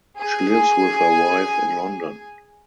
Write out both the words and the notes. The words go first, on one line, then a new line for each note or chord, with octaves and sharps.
She lives with her wife in London.
G#4 G#5